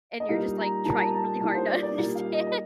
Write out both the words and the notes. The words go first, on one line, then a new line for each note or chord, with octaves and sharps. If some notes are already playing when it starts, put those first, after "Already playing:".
and you're just, like, trying really hard to understand.
D#5
A#2 G3 A#3 D#4 F5
A#5
A#2 G3 A#3 D#4 A5
A#5
A5
A#5
A5
A#2 G3 A#3 D#4 A5
C5
D5
D5
A#2 G3 A#3 D#4
F5
D#5
D#5